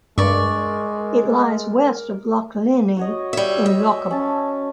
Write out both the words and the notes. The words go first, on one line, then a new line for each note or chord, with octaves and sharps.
It lies west of Loch Linnhe in Lochaber.
G2 G#3 A#4 D5 C#6
F#4 C#5 D#5
G3 C#5 E5
D#5 E5
C#4 A5